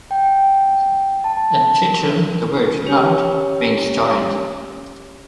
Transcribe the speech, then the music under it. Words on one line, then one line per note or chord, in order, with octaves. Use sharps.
In Chechen the word "nart" means "giant".
G5
A5
A#4
C#4 G4 C#5